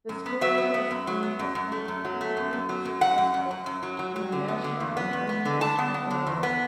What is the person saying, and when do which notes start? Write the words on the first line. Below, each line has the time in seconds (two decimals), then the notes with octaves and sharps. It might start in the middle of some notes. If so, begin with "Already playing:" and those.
The school chess team has been particularly successful, winning national and international awards.
0.09 F#2
0.26 B3
0.41 F#3 E5
0.58 B3
0.74 B3
0.91 F#2
1.07 F#3
1.23 B3
1.39 F#2
1.55 F#2
1.72 A3
1.88 F#2
2.05 F#3
2.21 A3
2.37 F#2
2.53 F#2
2.69 F#3
2.85 F#2
3.01 F#2 F#5
3.18 F#2
3.34 F#2
3.51 F#2
3.66 F#2
3.83 F#3
3.99 F#3
4.16 F#3
4.32 D3
4.48 B3
4.64 D3
4.80 E2
4.97 B3
5.13 E2
5.29 B3
5.45 D3
5.61 D3 A5
5.79 B3
5.94 B3
6.11 D3
6.27 E2
6.43 B3